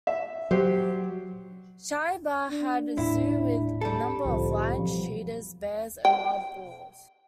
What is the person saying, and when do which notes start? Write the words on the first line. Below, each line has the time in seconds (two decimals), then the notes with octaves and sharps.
Shahi Bagh had zoo with number of lions, cheetahs, bears and wild boars.
0.07 E5
0.51 F#3 G4 C5
2.51 D4
2.98 D#1 A2 E4
3.81 G3 A4
4.25 C2 F2 A2 D3
4.78 B2 F3 F#3
6.05 G5